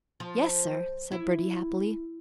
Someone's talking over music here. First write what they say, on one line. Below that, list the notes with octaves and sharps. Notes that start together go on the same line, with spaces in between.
"Yes, sir," said Bertie happily.
F3
E4